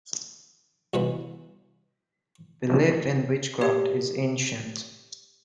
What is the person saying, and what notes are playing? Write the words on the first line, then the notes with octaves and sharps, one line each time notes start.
Belief in witchcraft is ancient.
C2 B2 E3 B5
G4 C#5